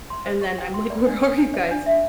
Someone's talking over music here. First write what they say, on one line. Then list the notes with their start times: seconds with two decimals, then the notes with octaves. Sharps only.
and then I'm like, "Where are you guys?"
0.10 C6
0.26 C5
0.41 G4
0.58 G5
0.74 C6
0.90 D5
1.06 D4
1.22 A4
1.38 D4
1.54 D5
1.71 D4
1.86 E5